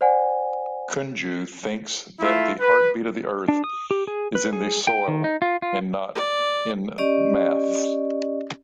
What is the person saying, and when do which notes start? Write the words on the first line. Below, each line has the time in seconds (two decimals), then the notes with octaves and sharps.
Kunju thinks that the heartbeat of earth is in soil and not in maths.
0.01 C5 D5 F#5 G#5
2.20 A3 E4 F4 E5
2.60 B4
3.48 D4
3.64 D#6
3.91 G4
4.07 G#4
4.35 B4
4.53 G#4
4.87 G5
5.08 D#3
5.24 D#4
5.42 F4
5.62 F4
6.15 D5
6.98 C#4 G4 D5 D#5